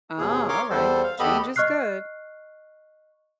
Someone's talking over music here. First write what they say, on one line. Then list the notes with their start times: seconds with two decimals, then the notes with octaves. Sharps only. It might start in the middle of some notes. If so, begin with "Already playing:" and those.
Oh, alright, change is good.
0.18 D#2 B2 G#4
0.49 A#4 C#5 C6 D6
0.70 E2 G3 A4 C5
1.03 F5
1.19 E2 B3 G4 A4 D#5 B5
1.56 D#5 C#6 F6 F#6 C7